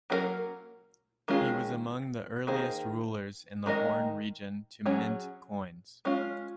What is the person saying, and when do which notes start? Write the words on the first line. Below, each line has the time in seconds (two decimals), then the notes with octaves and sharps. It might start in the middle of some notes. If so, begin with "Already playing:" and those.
He was among the earliest rulers in the Horn region to mint coins.
0.10 F#3 A#3 C#4 F#4 A#4
1.28 D#3 G#3 C#4 F4 G#4
2.47 D#3 A#3 D#4 G#4 C5
3.66 D#3 G#3 D#4 A#4 D#5
4.86 F#3 C#4 G#4 C#5
6.05 G#3 C#4 F4